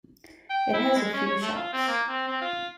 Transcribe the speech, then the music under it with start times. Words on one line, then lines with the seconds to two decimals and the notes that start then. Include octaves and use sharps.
It has a few shops.
0.50 G5
0.73 E4
0.95 G#3
1.14 C#4
1.26 C#5
1.43 A3
1.56 F4
1.73 C4
1.88 A#3
2.08 C4
2.28 C4
2.41 F4